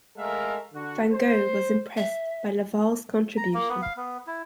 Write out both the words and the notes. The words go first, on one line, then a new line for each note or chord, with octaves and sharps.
Van Gogh was impressed by Laval's contribution.
G#3 A3 A4 A#4 E5 F5
D3 F#4
C5
E5
A#5
A#3
B3
F5
B3
E4